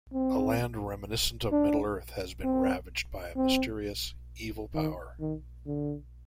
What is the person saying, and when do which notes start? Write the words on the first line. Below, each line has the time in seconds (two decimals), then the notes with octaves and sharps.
A land reminiscent of Middle-earth has been ravaged by a mysterious, evil power.
0.13 C4
1.51 D4
2.44 C4
3.36 C4
4.74 D#3
5.20 D#3
5.67 D3